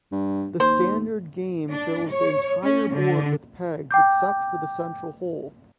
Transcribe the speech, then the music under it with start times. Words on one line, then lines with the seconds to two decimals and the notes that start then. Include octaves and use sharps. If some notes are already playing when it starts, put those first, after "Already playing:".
The standard game fills the entire board with pegs except for the central hole.
0.12 G2
0.60 D#2 C5
1.71 D4
2.11 C#5
2.63 C#4
2.95 D3
3.91 G5 D6 G6